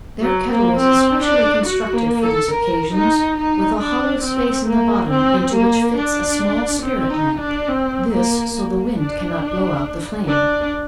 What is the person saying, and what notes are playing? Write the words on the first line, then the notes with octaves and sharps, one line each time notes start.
Their kettle was especially constructed for these occasions with a hollow space in the bottom into which fits a small spirit-lamp,--this so the wind cannot blow out the flame.
F#3
A#3
C4
D4
F#4
A#3
A4
A#4
D#4
D#4
D4
C4
A#3
C4
A#3
D4
C4
D#4
D4
C4
A#3
A#3
D4
D4